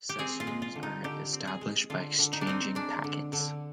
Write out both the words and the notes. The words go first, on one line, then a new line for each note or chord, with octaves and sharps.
Sessions are established by exchanging packets.
G4
C4 G#4
F4
G#3
F4
D3
D#4
D3 G4
C4
G#4
G#3
D3 F4
D3
D#4
D4
C4 D#4
G#3 D4
D3
D3